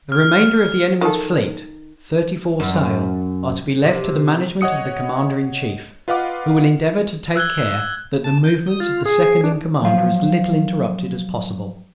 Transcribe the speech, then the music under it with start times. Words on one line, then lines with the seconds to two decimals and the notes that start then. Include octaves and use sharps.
The remainder of the Enemy's Fleet, thirty-four sail, are to be left to the management of the Commander in Chief; who will endeavour to take care that the movements of the Second in Command are as little interrupted as possible.
0.12 F6
1.01 D#3 A4
2.60 F#2
3.84 C3
4.61 C#5 D#5 F#5 D#6 C#7
6.08 F4 B4 D#5 F5 F#5 D6
7.36 E6 F#6 G#6 G7
8.24 A5
8.44 G6
8.67 D#6
8.80 F4
9.06 G#4
9.44 D4
9.82 F3 F#3 F5